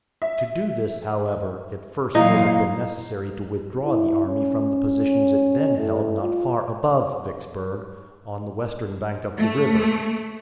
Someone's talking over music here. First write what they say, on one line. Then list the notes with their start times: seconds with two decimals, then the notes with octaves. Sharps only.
To do this, however, it first would have been necessary to withdraw the army from the positions it then held not far above Vicksburg, on the western bank of the river.
0.22 E5
2.15 A#2 E3 F#3 D#4 E4 F5
3.85 E4
4.26 C#4
5.77 A2
6.21 F4
9.38 A3